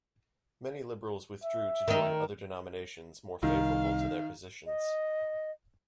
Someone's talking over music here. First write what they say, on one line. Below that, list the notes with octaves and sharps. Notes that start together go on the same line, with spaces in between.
Many liberals withdrew to join other denominations more favorable to their positions.
E5
D#3 D#4
C2 D#3 F5
D#5